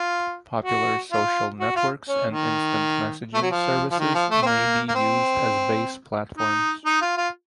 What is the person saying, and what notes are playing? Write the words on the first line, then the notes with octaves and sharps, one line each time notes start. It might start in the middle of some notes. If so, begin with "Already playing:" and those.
Popular social networks and instant messaging services may be used as base platforms.
Already playing: F4
F#4
F4
F#4
F4
C#4
D#3
A3
F#3
F3
F3
D#3
F3
A3
C4
A#3
A#3
C4
D#4
D#4
F4
F4